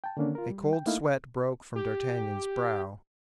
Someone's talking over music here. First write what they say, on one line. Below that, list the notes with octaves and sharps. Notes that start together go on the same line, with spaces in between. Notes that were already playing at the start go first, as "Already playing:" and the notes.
A cold sweat broke from d'Artagnan's brow.
G5 A5
D3 D#3 A#3 C#4 D4
F4 A#4
G3
G5
A3 A#3 D#4 E4 F5
G4